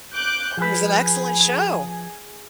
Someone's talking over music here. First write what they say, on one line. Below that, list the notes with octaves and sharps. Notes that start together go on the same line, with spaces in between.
He's an excellent show.
D6 F#6 G6
F3 G#4 B4